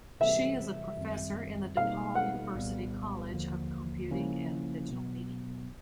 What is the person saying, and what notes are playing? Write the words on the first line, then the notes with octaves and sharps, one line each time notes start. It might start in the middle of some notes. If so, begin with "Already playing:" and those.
She is a professor in the DePaul University College of Computing and Digital Media.
C3 E3 G3 E5
F#2 D#3 G3 C4
B2 G3 A#3 D#4 F5
F#5
C2 A#2 G3 B3
D#2 D3 F3 A#3
C#3 F3 A#3 C#4 E4
B2 F#3 B3